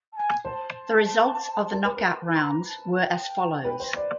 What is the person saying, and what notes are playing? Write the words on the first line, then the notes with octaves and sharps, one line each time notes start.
The results of the knockout rounds were as follows.
A5
G#5
C5 A5
A#4
B4
A#4
C6
A#5
A5
G5
B4
C5
D5